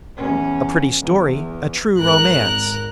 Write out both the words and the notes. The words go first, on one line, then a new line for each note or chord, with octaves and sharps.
A pretty story, a true romance!
E2 C#4
E2
G#1 A#4 F#6